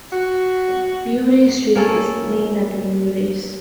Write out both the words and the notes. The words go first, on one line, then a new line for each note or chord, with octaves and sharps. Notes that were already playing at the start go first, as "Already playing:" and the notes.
Murray Street is named after the Murrays.
F#4
A#3 C#4 A4